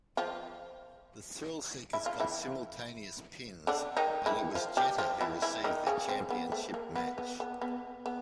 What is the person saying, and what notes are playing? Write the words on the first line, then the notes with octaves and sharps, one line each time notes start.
The Thrillseekers got simultaneous pins, but it was Jeter who received the championship match.
F3 F4
E4
F4
E3 E4
D3 D4
D#3 D#4
E3 E4
F3 F4
G3 G4
F3 F4
E3 E4
E3 E4
D#3 D#4
C#3 C#4
C4
B3
A3
A#3
B3
B3
B3
B3
B3